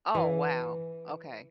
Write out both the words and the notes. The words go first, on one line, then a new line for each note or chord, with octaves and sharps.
Oh, wow, okay.
E3